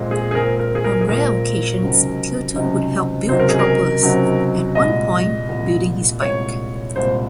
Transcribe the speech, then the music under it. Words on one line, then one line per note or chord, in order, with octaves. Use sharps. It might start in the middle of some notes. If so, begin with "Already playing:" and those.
On rare occasions, Teutul would help build choppers, at one point building his bike.
Already playing: A#2 G#3 C4
G#4
G#4
A#2 G#3 C4 A#4
A#4
G#4
A#4
G#4
A#2 G#3 C4 A#4
C#2 C3 F#3 C4 D#4
C#2 C3 F#3 C4 D#4
C#2 C3 F#3 C4 D#4 C5
A#4
G#4
A#4
C#2 C3 F#3 C4 D#4
C2 A#2 G#3 D#5
C2 A#2 G#3
C2 A#2 G#3 C#5
C2 A#2 G#3 C5